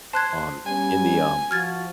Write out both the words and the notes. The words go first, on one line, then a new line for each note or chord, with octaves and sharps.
on in the, um,
C5 A5 F#6 G#6
G3 B3 C#4 G#5
F3 F#4 F6 G#6 A6